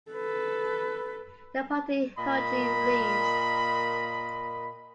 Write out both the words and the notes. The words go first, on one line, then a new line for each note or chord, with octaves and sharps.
The party hurriedly leaves.
A4 B4
A#2 A#4 D#5 B5